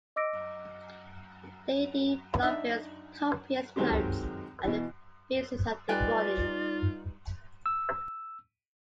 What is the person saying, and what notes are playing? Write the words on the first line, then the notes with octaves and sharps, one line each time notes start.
Lady Blomfield's copious notes are the basis of the volume.
D#5 D6 E6 A#6 D7
D4 D#4 E5
D#3 F#3 G#3 C4 G4
B2 E3
G3 D#4 F4 B4 D5 G5 G#5
E6